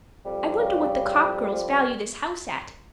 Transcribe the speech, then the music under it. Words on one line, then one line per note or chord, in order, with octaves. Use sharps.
I wonder what the Copp girls value this house at.
F2 G3
C#3
F2
F2
F3